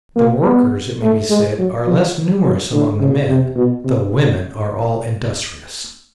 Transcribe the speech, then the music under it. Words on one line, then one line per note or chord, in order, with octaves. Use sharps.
The workers, it may be said, are less numerous among the men; the women are all industrious.
A#3
B3
A3
G#3
F#3
F3
F#3
D3
C#3
C3
B2
C3